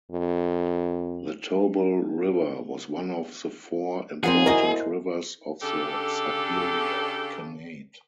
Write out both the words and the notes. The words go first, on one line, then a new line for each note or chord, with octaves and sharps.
The Tobol River was one of the four important rivers of the Siberia Khanate.
F2
F3 C4 G#4 A#4 C5 F#5
E4 F#4 A#4 C5 D#5 G#5
C#3 D4 G4 A4